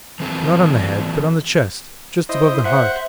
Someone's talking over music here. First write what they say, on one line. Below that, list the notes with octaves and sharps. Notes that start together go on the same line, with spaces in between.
Not on the head but on the chest, just above the heart.
E3 F#3 A#3 C4 A4
E4 C5 D#5
C5 E5 F#5